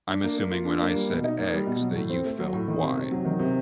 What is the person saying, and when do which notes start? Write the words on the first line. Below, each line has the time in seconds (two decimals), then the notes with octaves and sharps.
I'm assuming when I said X that you felt Y
0.08 D4
0.23 A#3
0.37 A#3
0.51 F4
0.65 D4
0.80 A#3
0.94 G3
1.10 B2
1.24 D#4
1.38 A#3
1.53 G3
1.66 B2
1.81 F#3
1.96 A2
2.10 C4
2.25 A3
2.39 F#3
2.53 A2
2.68 D#3
2.83 C3
2.97 C3
3.11 F#3
3.25 D#3
3.39 C3